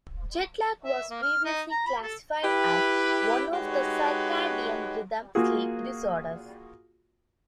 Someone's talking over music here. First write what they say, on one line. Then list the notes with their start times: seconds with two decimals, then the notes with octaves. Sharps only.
Jet lag was previously classified as one of the circadian rhythm sleep disorders.
0.83 E5
1.10 A#3
1.23 F6
1.45 D#4
1.71 A#5
1.87 B5
2.02 A4
2.44 E4 G4 B4
3.52 G#3 D#4 F#4 G4 B4 C#5
5.35 A#3 F4 F#4 G#4